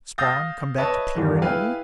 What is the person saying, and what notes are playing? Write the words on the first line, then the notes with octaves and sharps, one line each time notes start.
Spawn, come back to peer in at me?
F5 D#6 E6 G6 A6 A#6
B4 C#5 D#5 E5 A5
G1 E2 G2 D3
E4 G#4 B4 F5 G5 G#5